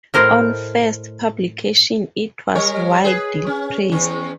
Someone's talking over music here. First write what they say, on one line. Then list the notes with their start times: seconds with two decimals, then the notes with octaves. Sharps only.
On first publication it was widely praised.
0.14 A2 A#4 C5 D#5
2.55 G3 A#4 C#5
3.04 G#4 B4
3.46 C#4
3.92 E2 C#4